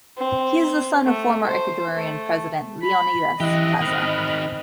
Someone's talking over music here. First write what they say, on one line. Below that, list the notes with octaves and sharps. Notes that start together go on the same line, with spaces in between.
He is the son of former Ecuadorian President Leonidas Plaza.
C4
A3
C5
A3
B5
E3 E4 G4 D#5 E5 F#6
D#3 C4 B5 F6 F#6